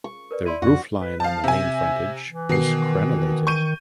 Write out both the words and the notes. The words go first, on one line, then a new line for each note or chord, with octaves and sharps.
The roofline on the main frontage was crenelated.
C#6
A#4 B4 D5
E4 D5 C6 D#7
F2 F#4 F#5
B4
F3 F5 A5
C3 E5 G#5
E3
B2 D#3 C7
C#6 G6 D#7